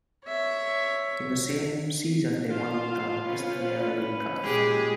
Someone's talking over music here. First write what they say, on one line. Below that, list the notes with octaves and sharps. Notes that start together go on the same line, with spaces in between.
In the same season they won the Isthmian League Cup.
C#5 E5
F4 C5 F5
C#4 B4
A#2 G#3 G4 G#4